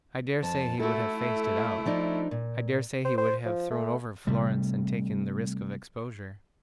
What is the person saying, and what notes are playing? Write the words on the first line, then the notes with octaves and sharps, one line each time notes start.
I daresay he would have faced it out; I daresay he would have thrown over Florence and taken the risk of exposure.
F2 A5
A3 E4 F#4 A4
F3 D4 D#4
A#2
C5
C5
F3
A3
C3 G3 A3